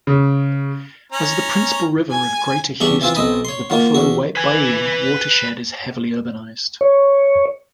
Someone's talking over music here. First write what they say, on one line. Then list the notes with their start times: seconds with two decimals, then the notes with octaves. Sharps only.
As the principal river of Greater Houston, the Buffalo Bayou watershed is heavily urbanized.
0.07 C#3
1.13 C#4 A#5
2.11 G#5
2.80 E2 G3 D4 C#6
3.01 E3 C4 F4
3.15 B1 C4 D#5 B5
3.45 C#5 C6
3.70 A#3 F4 F#5
3.94 E2 F#4
4.36 B4 G#5
6.81 C#5